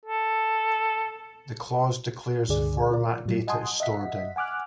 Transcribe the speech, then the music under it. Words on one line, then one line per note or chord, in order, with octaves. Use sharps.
The clause declares the format data is stored in.
A4
C#2 G2 D3 G#4 D5
F4 A#4 D5
A2 F#3
D#5 F#5 G#5 A5 C6 D#6
D#5 E5 F#5 B6
F#5 G#5 D6 F6 F#6